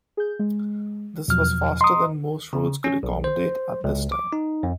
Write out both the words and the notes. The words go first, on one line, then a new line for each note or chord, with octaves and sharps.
This was faster than most roads could accommodate at this time.
G#4 G6
G#3
E2 B2 F3 F#3 F6
D#5 A#5 C6 D#6
C#3
C#4
B1
C5
C#2
D6
D#4
F2